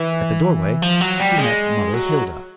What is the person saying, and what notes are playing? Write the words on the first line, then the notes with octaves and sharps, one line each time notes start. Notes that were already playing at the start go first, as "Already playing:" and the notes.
At the doorway he met Mother Hilda.
Already playing: E3
F3
F#3
G3
G#3
F#3